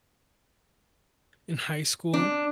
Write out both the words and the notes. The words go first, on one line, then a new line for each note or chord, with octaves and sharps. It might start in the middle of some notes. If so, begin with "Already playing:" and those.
in high school,
D4